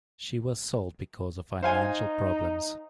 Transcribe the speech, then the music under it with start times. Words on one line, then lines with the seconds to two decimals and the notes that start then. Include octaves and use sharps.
She was sold because of financial problems.
1.63 D#4 C5 F5 G#5